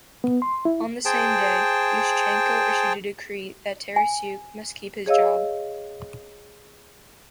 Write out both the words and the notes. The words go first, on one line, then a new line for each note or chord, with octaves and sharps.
On the same day, Yushchenko issued a decree that Tarasyuk must keep his job.
B3
C6
E4
G#4 C5 G5 A5
G#5
G#4 C#5 D#5 F5 E6